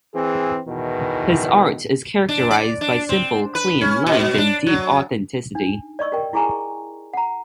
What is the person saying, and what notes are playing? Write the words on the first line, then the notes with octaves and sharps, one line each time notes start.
His art is characterised by simple, clean lines, and deep authenticity.
E3 C4 G#4
E2 B2 D#3 E3
D4
D5
D4
C4
B4
C#4
B2
D4
F#3
D4 D#4
D5 D#5 C#6 E6
G4 A#4 G5
E4 G4 G#4 G#5 A#5 C#6
F#5 A#5